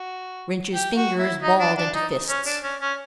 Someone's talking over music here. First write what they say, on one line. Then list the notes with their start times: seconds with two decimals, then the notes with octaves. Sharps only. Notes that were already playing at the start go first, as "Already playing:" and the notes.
Rynch's fingers balled into fists.
Already playing: F#4
0.73 G4
0.96 F#4
1.19 E4
1.42 D#4
1.59 D4
1.77 D4
1.94 D#4
2.29 C#4
2.46 D4
2.63 C#4
2.81 C#4